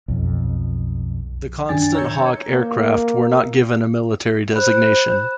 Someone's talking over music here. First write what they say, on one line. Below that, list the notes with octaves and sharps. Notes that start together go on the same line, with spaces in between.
The Constant Hawk aircraft were not given a military designation.
B1 F2
F#2 D#3 D4 G5 G#5 A6
C#5 A#5 E6 G6 G#6 C#7
A#3
C5 B5 F#6